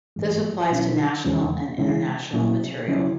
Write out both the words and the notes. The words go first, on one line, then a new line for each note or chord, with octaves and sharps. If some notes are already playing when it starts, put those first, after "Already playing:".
This applies to national and international material.
G#2 E3 G#3
B2 F#3 C#4 E4
E2 C#3 E3 G#3 C#4
C#3 E3 G#3 C#4 E4
A#2 F#3 A#3 E4
C#3 F#3 C#4 E4